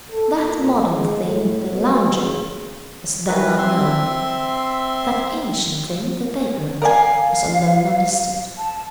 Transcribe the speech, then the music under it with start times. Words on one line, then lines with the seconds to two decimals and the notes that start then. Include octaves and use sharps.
That modern thing, the lounger, was then unknown; that ancient thing, the vagrant, was alone understood.
0.12 A4
0.42 A#2
0.90 G#3
1.24 A2
1.72 B2
2.20 C#3
3.28 D#3 E3 B4
3.58 C4 E5 C6
6.82 A#4 D5 F5 G#5
8.57 A5